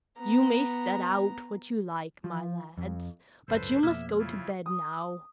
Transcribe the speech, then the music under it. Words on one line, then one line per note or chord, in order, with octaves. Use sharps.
"You may set out what you like, my lad, but you must go to bed now."
B3 A#5
F3
F2
G#1 C#2 F#2 A4 B4 C5
F2 B2 A#3 E5 E6 F6
C#3 E4 F4
D#6